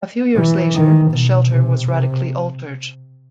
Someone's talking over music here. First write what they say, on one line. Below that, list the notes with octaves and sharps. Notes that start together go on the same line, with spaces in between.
A few years later, the shelter was radically altered.
E3
D#3
B2
C3
C3